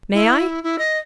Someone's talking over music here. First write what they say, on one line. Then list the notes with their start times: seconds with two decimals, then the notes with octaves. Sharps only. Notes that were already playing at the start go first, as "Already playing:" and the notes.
"May I?"
0.14 E4
0.63 E4
0.79 D#5